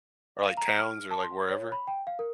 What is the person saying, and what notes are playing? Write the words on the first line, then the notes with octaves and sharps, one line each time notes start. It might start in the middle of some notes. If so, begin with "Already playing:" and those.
or, like, towns or, like, wherever,
F5
A#5
F6
A5
C6
C#5
B5
G5
F5
A#4